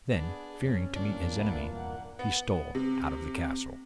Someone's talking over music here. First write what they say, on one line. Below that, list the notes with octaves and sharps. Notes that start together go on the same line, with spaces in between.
Then, fearing to meet his enemy, he stole out of the castle.
B3 D4 G#4
F#2 C3 C#4
G1 A#2 D4
C2 G2 C3 B3 E4
E2 G2 B2 A#3 F#5
B3
C3